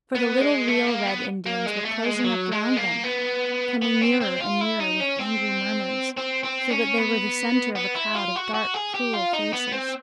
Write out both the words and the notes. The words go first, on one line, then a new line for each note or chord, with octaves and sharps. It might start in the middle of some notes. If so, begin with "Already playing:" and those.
For the little real Red Indians were closing up round them - coming nearer and nearer with angry murmurs - so that they were the centre of a crowd of dark, cruel faces.
B3
G#3
A3
A#3
B3
A#3
G#3
A3
G#3
F#3
G#3
A#3
B3
B3
C4
C4
F4
E4
D#4
C#4
C4
C4
C4
C#4
B3
B3
E4
F4
F#4
F#4
G#4
G4
F4
D#4
B3
C4